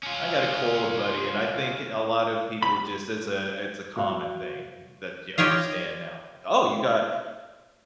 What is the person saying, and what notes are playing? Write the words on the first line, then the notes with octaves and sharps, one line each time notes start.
"I got a cold, buddy," and I think, eh, a lot of people just it's a it's a common thing that you understand now. Like, "Oh, you got
C#4 F4
B5
F#4 E5 F5
F4 G4 C#5 D#5 F5